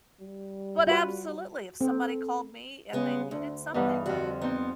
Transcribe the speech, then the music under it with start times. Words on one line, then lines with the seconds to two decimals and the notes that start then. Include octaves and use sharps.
but absolutely, if somebody called me and they needed something,
0.20 G3
0.87 F4 F#4 B4
1.81 C4 A4
2.93 C#3 G#3 B3
3.31 D2 D4
3.74 G2 E3 B3 D#4
4.06 F2 D3 F#4 G4
4.41 B3 C4 D#4